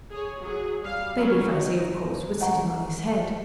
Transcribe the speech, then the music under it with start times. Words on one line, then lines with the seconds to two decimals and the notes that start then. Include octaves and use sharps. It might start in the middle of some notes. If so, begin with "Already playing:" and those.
Baby Fuzzy, of course, was sitting on his head.
0.11 G#4 C#5
0.41 F#3 G#4
0.82 G3 F5
1.16 F#3 G3 A#3 C#4
1.52 D#4
2.40 C#5 D#5 F#5 G#5 A#5 C#6